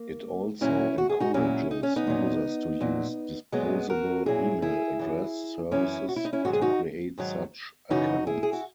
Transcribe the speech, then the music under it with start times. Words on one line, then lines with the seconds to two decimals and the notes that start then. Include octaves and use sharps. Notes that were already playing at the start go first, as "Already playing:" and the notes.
It also encourages users to use disposable email address services to create such accounts.
Already playing: A#3
0.61 A#2 F#3 C#4 E4
0.98 F#4
1.09 G#4
1.20 D#4 F#4
1.34 A#2 F#3 C#4 E4
1.71 D#4
1.83 C#4
1.96 B3 D#4
2.07 A#2 F#3
2.81 A#2 F#3
3.52 A#2 F#3 G#3 B3
3.89 F#4 A#4
4.26 A#2 F#3 E4 G#4
4.62 E4 G#4
4.99 F#2 E3
5.71 F#2 E3 C#4 E4
6.08 F#4
6.16 E4
6.25 D#4
6.33 C#4 E4
6.45 G#2 D#3 F#3 F#4
6.53 G#4
6.61 D#4 F#4
7.18 G#2 D#3 F#3
7.90 F#2 C#3 E3 D#4 F#4
8.27 E4 G#4
8.43 G#4
8.53 F#4